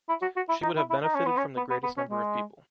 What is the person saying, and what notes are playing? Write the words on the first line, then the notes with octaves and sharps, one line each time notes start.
She would have benefited from the greatest number of people.
E4
F#4
F#4
E4
D#4
E4
E4
D#4
C#4
B3
C#4
B3
B3
B3
C#4
G#3